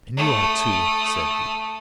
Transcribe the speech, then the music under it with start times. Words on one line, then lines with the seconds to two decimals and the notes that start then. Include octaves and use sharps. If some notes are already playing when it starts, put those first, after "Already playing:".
"And you are, too," said he.
0.17 A3 D#6